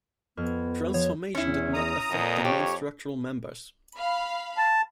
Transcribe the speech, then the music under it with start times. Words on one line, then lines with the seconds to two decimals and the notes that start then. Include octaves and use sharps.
Transformation did not affect the main structural members.
0.37 F2 B3 F6 G#6
0.94 F3 C#5
1.35 E2 C#4 E4
1.74 A#5 D#6
2.10 F2 A#2
2.45 G4 C#5
3.98 F5 B5
4.58 A5